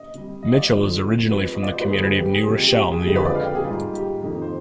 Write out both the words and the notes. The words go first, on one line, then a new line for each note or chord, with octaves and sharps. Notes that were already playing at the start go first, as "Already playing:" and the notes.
Mitchell is originally from the community of New Rochelle, New York.
Already playing: D#5
C3 G3
D#5
D5
F2 D3 F3 C5
C3 F3 G#3 B4
D#5
D5
C5
B4
G2 D3 G3 G#4
B4
G4
G#4
C3 F3 G#3 G4
G4
G4
G#4
G4
F2 D3 G#3 G#4
B4
D5
F5
G5
G#4
G#2 G3 F4
G4
F2 C3 D#3
C5